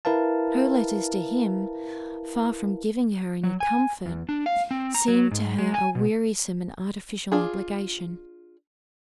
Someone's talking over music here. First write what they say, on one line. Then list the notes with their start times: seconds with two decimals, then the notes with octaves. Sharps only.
Her letters to him, far from giving her any comfort, seemed to her a wearisome and artificial obligation.
0.05 E4 A#4 B4 F5 A5
3.43 F#3
3.60 G#5
4.06 E2
4.29 D4
4.46 F5
4.71 C4
4.95 A#5
5.08 F#3
5.31 G#2
5.58 G#3
5.74 G#5
5.95 B2
7.32 D4 F4 G#4